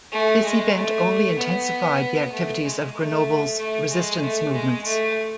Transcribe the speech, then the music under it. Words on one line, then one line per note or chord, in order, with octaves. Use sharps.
This event only intensified the activities of Grenoble's resistance movements.
A3
G#3
A3
B3
A3
G#3
A3
A3
G#3
A3
G#3
A3